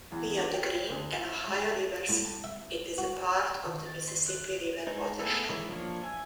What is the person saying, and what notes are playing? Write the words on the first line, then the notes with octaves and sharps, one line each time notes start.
Via the Green and Ohio rivers, it is part of the Mississippi River watershed.
E2
D4
G5
C5
D2
E4
G#3
A2
A5
E5
F#4
D#3
A6
C6
F#6
G#3 D#4
A3 B3 G#4 A4
D#3 E3 G#3 E4 C#5
F3 A#3 D4 C#5
E5 G#5